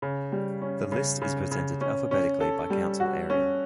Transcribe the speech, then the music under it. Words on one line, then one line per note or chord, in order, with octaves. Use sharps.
The list is presented alphabetically by council area.
C#3
G3
C#4
C#3
C#3
C#3
C#4
C#4
A4
G3
F#4
C#4